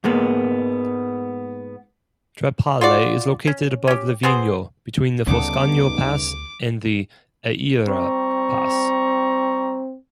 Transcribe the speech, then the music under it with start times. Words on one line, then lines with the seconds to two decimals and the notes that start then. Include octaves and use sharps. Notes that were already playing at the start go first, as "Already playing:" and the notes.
Trepalle is located above Livigno between the Foscagno Pass and the Eira Pass.
0.04 G#2 G#3 A#3 B3
2.81 F4 F#4 D5
3.47 C#4
3.87 C#4 G4
4.23 B3 C4 G#4 C5
5.27 D2 C#3 G3 B3 D#4 A4 D6
7.88 G3 C4 A#5 C#6